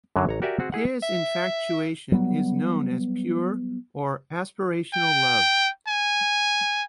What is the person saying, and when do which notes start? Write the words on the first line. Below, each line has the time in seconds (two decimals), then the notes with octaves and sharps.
His infatuation is known as pure, or aspirational love.
0.16 F#2 D3 F#3
0.27 A1 C#5 A#5
0.42 F#4 G4 A#4 D5 E5 G#5
0.59 C4 F#4 G#4
0.72 E4 G#4 F#5
1.02 E5
2.12 F#3 G3 B3
4.93 G5
5.87 G#5